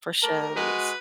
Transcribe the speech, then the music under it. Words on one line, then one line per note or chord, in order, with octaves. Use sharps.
for shows.
A3 G4 A#4 A5
G#3 F#4 B4